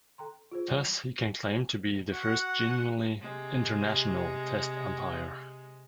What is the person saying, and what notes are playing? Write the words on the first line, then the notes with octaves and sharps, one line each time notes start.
Thus he can claim to be the first genuinely "international" Test umpire.
A4 G5 A#5 C6
F4 G#4 C5
E3 G3 C#5 D5 F#5
F#4 F#5
C3 G#3